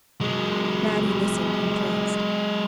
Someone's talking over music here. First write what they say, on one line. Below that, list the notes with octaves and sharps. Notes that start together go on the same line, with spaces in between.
Mattie listened entranced.
F#3 G#3